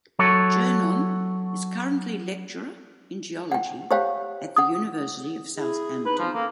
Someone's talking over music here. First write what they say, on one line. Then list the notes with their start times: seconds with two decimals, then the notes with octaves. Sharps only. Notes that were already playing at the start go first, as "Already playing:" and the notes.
Gernon is currently lecturer in geology at the University of Southampton.
0.19 F#3 F#4 A4 C#5
3.52 F#5 G5
3.91 G4 C5 C#5 F5 G5
4.56 F#5 D#6
5.57 E4 G#4
6.06 D#4 B4
6.19 F3
6.34 A#3 C#4 D#4 A4